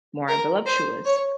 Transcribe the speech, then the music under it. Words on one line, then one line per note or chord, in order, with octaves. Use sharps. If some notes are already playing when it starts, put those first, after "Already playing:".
more voluptuous,
A#4
C5
C#5